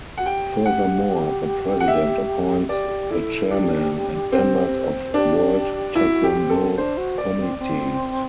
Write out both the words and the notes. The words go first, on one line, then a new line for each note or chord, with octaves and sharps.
Furthermore, the President appoints the chairmen and members of World Taekwondo Committees.
F#4 F#5
G4 G5
G4 F#5
G4
F#5
E5
G4 D5
E4 A4
D4 G4
C4
D4 G4
E4 F#4
G4
C4
A4
D4 C5
F#4
D5
C4
C4